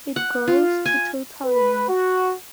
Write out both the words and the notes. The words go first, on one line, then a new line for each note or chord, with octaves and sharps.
It grows to total length.
F#5
F4
G#5
B4
F#4